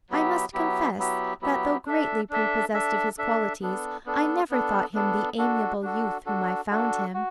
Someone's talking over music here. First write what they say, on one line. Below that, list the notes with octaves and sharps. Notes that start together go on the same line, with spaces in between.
I must confess that, though greatly prepossessed of his qualities, I never thought him the amiable youth whom I found him.
F#3 B3 E4 G4
F#3 B3 E4 G4
F#3 B3 E4 G4
F#3 B3 E4 G4
D4 A4 E5
D4 A4 E5
D4 A4 E5
D4 A4 E5
B3 D4 A4
B3 D4 A4
B3 D4 A4
B3 D4 A4
D4 F#4 A4
D4 F#4 A4
D4 F#4 A4
D4 F#4 A4
F#4